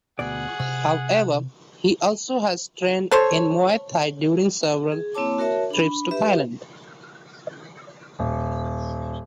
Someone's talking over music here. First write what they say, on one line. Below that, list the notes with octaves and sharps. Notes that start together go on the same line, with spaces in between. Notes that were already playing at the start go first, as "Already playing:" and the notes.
However, he also has trained in Muay Thai during several trips to Thailand.
D2 B2 G#4 D5 F#5
C3
A4 C5 C#5
G#4
A#3 C4 E4 C#5 A5 D6
F#4 A#4 C#5 E5 A5
D4 B5
G4 B4 E5
D#1